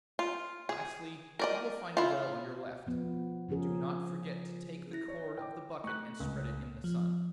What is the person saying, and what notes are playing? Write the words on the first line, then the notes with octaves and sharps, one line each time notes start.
Lastly, you will find a well on your left; do not forget to take the cord of the bucket and spread it in the sun.
F4
G#4
A#4 D5 D#5
E4 F4
F3 B3
C#3 F3 C#4 G#4 A#4
E4 A#6
C#5
G5 D6
A3 C#6 F#6
C#2
F3